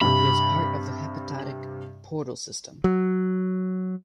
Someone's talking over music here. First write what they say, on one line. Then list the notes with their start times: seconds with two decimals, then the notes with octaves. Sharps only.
It is part of the hepatic portal system.
0.01 G2 C3 B5
2.84 F#3